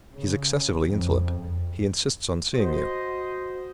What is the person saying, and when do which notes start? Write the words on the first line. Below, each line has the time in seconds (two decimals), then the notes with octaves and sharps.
He's excessively insolent--he insists on seeing you.
0.16 C#3
0.89 F2
2.55 F#4 C5 D#5